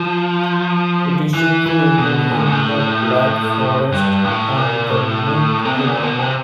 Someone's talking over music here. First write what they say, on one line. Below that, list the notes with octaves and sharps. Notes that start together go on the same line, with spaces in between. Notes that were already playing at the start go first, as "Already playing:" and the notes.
It is situated in the Black Forest on the Murg river.
Already playing: F3
E3
E3
B2
A#2
A2
G#2
A2
G2
A2
A#2
A2
C3
B2
A#2
B2
C3